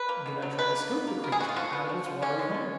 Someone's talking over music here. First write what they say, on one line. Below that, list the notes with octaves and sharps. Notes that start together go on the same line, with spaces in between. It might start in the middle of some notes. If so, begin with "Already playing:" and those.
Then I tried to scoop the creature out of its watery home.
Already playing: B4
A#3
B2
F#3
B2 B4
A#3
B2
A#3
B3 A#4
G#4
G#3 F#4
F4
F3 F#4
B3
F3
F3
F3 C#4
G#3
B2